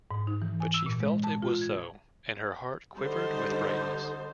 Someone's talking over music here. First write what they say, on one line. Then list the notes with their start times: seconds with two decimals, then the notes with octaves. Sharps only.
But she felt it was so, and her heart quivered with brightness.
0.11 G#2
0.27 D#4
0.42 E3
0.60 G#5
0.74 E6
0.86 A#2
1.00 G#3
1.24 A5
1.42 F4
1.61 G#6
2.98 D3 G3 D#4 C5